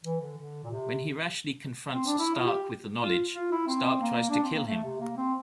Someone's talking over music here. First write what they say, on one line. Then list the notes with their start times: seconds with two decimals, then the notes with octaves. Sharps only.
When he rashly confronts Stark with the knowledge, Stark tries to kill him.
0.03 E3
0.21 D3
0.38 D3
0.64 A#2
0.70 C3
1.94 C4
2.06 D4
2.18 E4
2.35 F4
2.46 G4
3.02 F4
3.35 F4
3.52 E4
3.67 C4
4.01 A#3
4.30 D4
4.43 C4
4.54 A#3
4.66 A3
4.84 C3
5.00 A#3
5.17 C4